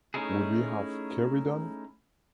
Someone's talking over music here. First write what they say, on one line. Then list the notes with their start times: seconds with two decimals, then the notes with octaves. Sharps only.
Would we have carried on?
0.14 A3 C#4 D#4 E4 G#4